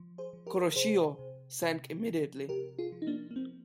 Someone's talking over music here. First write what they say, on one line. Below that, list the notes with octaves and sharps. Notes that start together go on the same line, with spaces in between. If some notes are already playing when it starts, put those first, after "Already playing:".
"Kuroshio" sank immediately.
Already playing: F3
G#4 C5
F3
G4 A#4
A#4
C3 G#4 C5
C3
C3
F3
C3 G4 A#4
F4 G#4
F3
D#4
A#3 D4
A#3
F3 C4